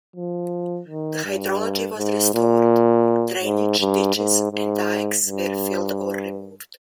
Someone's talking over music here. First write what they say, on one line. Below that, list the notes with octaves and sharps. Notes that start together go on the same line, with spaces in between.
The hydrology was restored; drainage ditches and dikes were filled or removed.
F3
D#3
G2
G#2
A#2
G#2
G2
G#2
G#2
G2